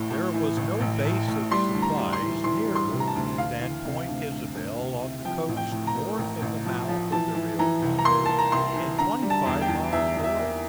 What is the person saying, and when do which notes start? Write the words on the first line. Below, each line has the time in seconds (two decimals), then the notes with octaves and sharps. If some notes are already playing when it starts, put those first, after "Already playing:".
There was no base of supplies nearer than Point Isabel, on the coast, north of the mouth of the Rio Grande and twenty-five miles away.
Already playing: A1 A2
0.10 A2
0.34 E3
0.57 A1
0.81 A1
1.05 A2
1.27 A2
1.51 G3 C6
1.75 D2
1.82 A#5
1.98 G3
2.13 C6
2.21 E3
2.44 E3 C6
2.68 G3
2.76 C6
2.91 C3
3.00 A#5
3.08 A5
3.15 D2
3.38 D2 F5
3.61 E3
3.85 C3
4.08 D2
4.31 D2
4.55 D2
4.79 C3
5.01 C3
5.25 F3 G5
5.49 A1
5.57 G5
5.72 A2
5.87 A#5
5.95 A#3
6.18 A1
6.42 A1
6.65 F3
6.88 F3
7.12 E3 A5
7.35 E3
7.59 E3 A#5
7.82 C2
7.99 A#5
8.05 A#3 C6
8.26 A#3 A5
8.39 A#5
8.52 C2 C6
8.76 E3
8.99 D3 A#5
9.22 G3
9.30 A5
9.46 E2
9.62 G5
9.69 E2
9.93 E2 E5
10.16 E2
10.24 E5
10.39 A#3